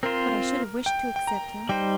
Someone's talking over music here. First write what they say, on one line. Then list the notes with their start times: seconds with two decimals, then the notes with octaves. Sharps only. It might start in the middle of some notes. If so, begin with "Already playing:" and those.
But I should have wished to accept him.
0.03 C4 F4 A#4 C5
0.86 G5
1.16 G5
1.27 A#5
1.69 G3 D#4 C5 G5